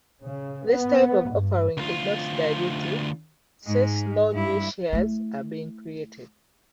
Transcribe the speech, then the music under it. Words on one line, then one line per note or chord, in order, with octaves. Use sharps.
This type of offering is not dilutive, since no new shares are being created.
C#3
B3
G2
D2 F4
G#2 G#3
G2 E4
A3 E4